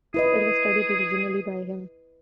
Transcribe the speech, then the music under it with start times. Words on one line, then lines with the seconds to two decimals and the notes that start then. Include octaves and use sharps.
It was studied originally by him.
0.14 E4 G#4 B4 D#5